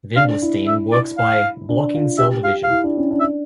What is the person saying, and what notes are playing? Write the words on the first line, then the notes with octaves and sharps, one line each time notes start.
Vinblastine works by blocking cell division.
D4 F5
E4
E5
D5
F5
D4
F4
G4 E5
G4 F5
F5
E4
D4
C#4
D4
E5